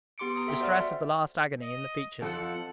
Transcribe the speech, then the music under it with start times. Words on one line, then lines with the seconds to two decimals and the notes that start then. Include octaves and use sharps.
The distress of the last agony in the features.
0.18 B3 G4 C6 D6 C#7 D7
0.33 A#5 D#6 C#7
0.47 A4 E5 G5 C6
0.60 F#4 C5 D5 F#5 F6
0.76 E5
1.61 D#5
2.22 F2 F3 A4 F#5